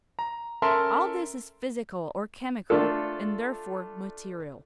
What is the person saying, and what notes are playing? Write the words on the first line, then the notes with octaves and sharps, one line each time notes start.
All this is physical or chemical, and therefore material.
A#5
C#4 A4 A#4 E5 A5 C6
A3 D4 F4 A4